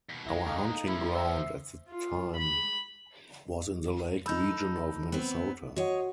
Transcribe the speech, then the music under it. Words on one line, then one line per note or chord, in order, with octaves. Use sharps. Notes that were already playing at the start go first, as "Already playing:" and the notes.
Our hunting ground at that time was in the lake region of Minnesota.
D#2 B2
B1 B2 G#3 E4 A#6
D#4 A4 F5 G5
F3 C#4 E4 B5
C5 E5 A#5
F4
B5
D#4 A4 B5 E6 G6
B3 C4
F#4 C#5 D#5 F#5